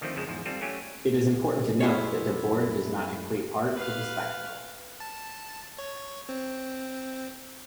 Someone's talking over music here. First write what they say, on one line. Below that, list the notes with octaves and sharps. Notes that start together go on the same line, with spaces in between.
It is important to note that Debord does not equate art to the spectacle.
D3 D#3 F3 A3 C4
F2 C#3 F3 G#3 A5
E2 G#2 F3
G3 C4 F4 A4
F#3 A3 C#4 G4 G#5
F#2 E4 F4 G#4 C#5
B4 F5
A5
C#5
C4